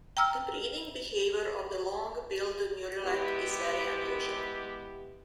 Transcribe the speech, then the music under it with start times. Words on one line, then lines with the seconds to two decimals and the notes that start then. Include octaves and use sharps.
The breeding behaviour of the long-billed murrelet is very unusual.
0.17 G5 A#5 E6 F6
3.03 G#3 B3 E4 G4